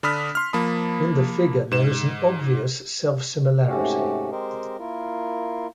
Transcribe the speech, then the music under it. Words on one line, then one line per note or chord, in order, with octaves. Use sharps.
In the figure there is an obvious self-similarity.
D3 D4 B5 D#6 F6 B6
C6 F6
F3 A#3 A5 B5 D#6
G#2 E7
G#2 C3 A3 C#4 F#4 G4
G#3 C4 G4 A#4 C5 D#5
A#3 E4 F4 A#4